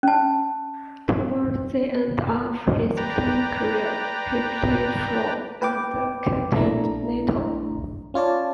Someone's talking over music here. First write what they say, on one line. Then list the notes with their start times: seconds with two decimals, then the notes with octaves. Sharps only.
Toward the end of his playing career, he played for and captained Natal.
0.03 C#4 A5
2.97 B4 D5 G5 A#5
5.62 B4 G5 D6
6.55 A#1 A3 D4 E4 A#5
8.14 C#4 F4 C#5 D5 A5